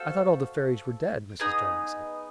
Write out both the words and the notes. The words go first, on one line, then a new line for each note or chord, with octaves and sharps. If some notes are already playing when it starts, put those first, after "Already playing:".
"I thought all the fairies were dead," Mrs. Darling said.
Already playing: F#4 A4 C5 F5
B3 D#4 G#4